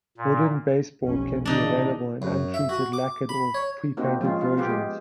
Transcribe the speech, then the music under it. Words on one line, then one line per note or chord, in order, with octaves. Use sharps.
Wooden baseboard can be available in untreated, lacquered or prepainted versions.
A#2
F1 B1 C#4
A#2 C#3 E3 D4 D#4
F#2
E5
F#4
D6
B5
C#5
A#3 C4 D#4 F#4
F3 G#3 C#4 F4
F4
B3 F4 G4 G#4
G#3